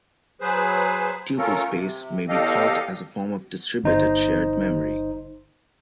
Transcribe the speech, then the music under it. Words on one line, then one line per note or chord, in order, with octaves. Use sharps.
Tuple space may be thought as a form of distributed shared memory.
F#3 G#4 B4 C5
A3 C#4 F4 A4 A#4
C3
E2 G4 A4 D#5 F5
G1 D#4 C5